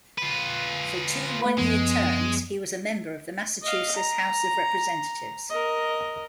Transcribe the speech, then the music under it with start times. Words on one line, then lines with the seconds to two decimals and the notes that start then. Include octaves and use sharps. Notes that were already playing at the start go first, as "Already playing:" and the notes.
For two one-year terms he was a member of the Massachusetts House of Representatives.
0.18 F4 B4
1.42 A3 B4 B5
1.58 F#2 F3 G#3 B3
3.63 D#5 F5
3.96 A#5
5.50 A#4 D#5